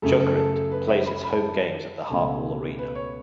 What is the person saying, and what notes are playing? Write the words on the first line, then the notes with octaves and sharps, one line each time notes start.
Jokerit plays its home games at the Hartwall Arena.
F#2 C#3 A3 C#4 A4
A4
A4
A4
B4
E5
B5
B5
A5
C#2 B2 A3 C#4
B4
C#5